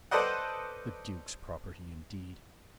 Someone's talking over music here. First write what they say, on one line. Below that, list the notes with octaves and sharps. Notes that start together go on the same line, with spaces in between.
The Duke's property, indeed!
A4 B4 C5 D5 D#5 F#5